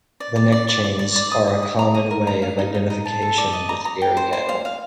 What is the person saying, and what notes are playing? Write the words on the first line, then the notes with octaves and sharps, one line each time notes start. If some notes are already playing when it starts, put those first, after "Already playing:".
The neck chains are a common way of identification with dairy cattle.
D5
D5
D5
D5
D5
D5
D5
D#6
D#6
D#6
A#5
D#5
A#4
A#5
F5
D#4
D#4
D#4
A5
A4
D5
D#5
A#5
A#5
G5
C5
C5
F5
F5